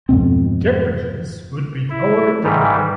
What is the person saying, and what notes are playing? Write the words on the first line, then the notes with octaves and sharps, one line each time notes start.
Temperatures would be lower inland.
F2 G#2 B2 C4
E4
G#2 D#3 E3 G3